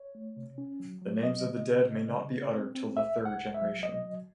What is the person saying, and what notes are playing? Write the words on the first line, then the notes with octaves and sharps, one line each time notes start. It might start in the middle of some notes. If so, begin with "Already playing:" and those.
The names of the dead may not be uttered till the third generation.
Already playing: C#5
A3
C3
C#4
F#3
F#3
F#3 D#5
C#3
C#3
C#3
C#3
C#3
C4
C4
C2 E5
C2
F#5
C2
E5
F#3
F#3 D#5
F#3